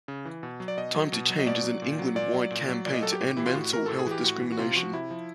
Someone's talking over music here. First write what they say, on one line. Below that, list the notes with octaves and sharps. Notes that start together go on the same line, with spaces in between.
Time to Change is an England-wide campaign to end mental health discrimination.
C#3
E3
B2
F#3
D5
B2 D#5
F#3
B2
F#3
D#5
B2 D5
F#3
A#2
F#3
A#2 D5
F#3
A#2
F#3
A#2 D5
D#5
F#3 A4
G4
A2
E3 E4
F4
A2 F#4
E3 A#4
A2 A4
G#4
E3 G4
A2 F#4
E3
F#4
C3 F4
F3 F#4
C3 E4
F3